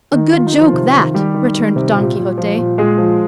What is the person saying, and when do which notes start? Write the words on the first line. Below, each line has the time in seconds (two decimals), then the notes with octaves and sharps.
"A good joke, that!" returned Don Quixote.
0.11 D#3 D#4
0.32 D#3 F4
0.47 D#4
0.52 D#3
0.60 F3 F4
0.73 C3
0.94 D#3
1.14 D#3 G3 G4
1.34 D#3
1.55 D#3
1.76 C3
1.95 A#2
2.16 A#2
2.38 F3
2.58 A#2
2.78 A#2 G#3 G#4
2.98 F3